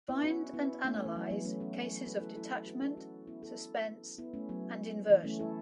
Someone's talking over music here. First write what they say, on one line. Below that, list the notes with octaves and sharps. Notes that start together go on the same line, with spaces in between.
Find and analyze cases of detachment, suspense and inversion.
B3 E4
C#4 F#4
B3 E4
A3 C#4
A3
E3
F#3
F#3 B3
A3 C#4
C#4 F#4
E4 A4
F#4 B4
E4 A4
E4 A4
F#4 B4
E4 A4
C#4 F#4
B3 E4
E4 A4
B3 E4
A3 C#4
F#3 B3
E3
A3 C#4
E4 A4